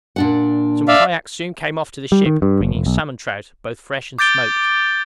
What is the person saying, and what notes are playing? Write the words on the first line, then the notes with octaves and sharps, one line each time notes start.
Some kayaks soon came off to the ship, bringing salmon-trout, both fresh and smoked.
A#2 D4 F#5
D5 E5 F5
G3
D#3
G2
F#1
F1
B1
D6 G6 A6 D7 G7